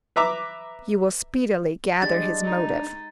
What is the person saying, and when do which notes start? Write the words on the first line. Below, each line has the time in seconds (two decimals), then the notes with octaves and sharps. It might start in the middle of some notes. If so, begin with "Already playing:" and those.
You will speedily gather his motive.
0.16 B4 E5 A#5 D6
2.02 G#3 D4 G4 A6
2.44 D#4